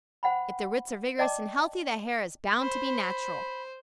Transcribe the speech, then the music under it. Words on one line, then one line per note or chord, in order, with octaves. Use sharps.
If the roots are vigorous and healthy, the hair is bound to be natural.
C5 F#5 G5 B5
D5 D#5 G5 A5 D6
C5 B5